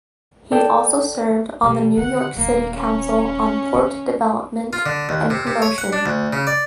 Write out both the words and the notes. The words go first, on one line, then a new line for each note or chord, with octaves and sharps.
He also served on the New York City Council on Port Development and Promotion.
A4 D5 G5
B2 E3 G3
D3 D#3 F#5
D#1 D#3 A#3
C#4
D#3
F4
D3
D#2
C3
C3
C#5
F#5
D4
D2
C#3
D5